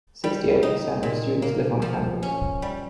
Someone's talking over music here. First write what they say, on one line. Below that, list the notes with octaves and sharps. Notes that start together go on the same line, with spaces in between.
Sixty-eight percent of students live on campus.
G3
D#4
A#2
A#3
F3
C#4
G3